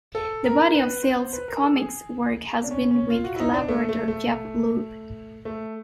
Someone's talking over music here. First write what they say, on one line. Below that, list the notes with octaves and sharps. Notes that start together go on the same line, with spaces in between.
The body of Sale's comics work has been with collaborator Jeph Loeb.
A4
A#4
B4
C5
B4
A#4
A4
G#4
D4
C#4
C#4
F4
F#4
E4
D#4
D4
A3
A3
A3
A3